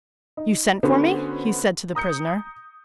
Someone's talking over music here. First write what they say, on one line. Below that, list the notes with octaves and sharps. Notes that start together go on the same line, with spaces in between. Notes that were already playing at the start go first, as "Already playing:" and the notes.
"You sent for me?" he said to the prisoner.
D#4
D3 B3 C#4 F#4 C5
A#5 D#6 G6 C#7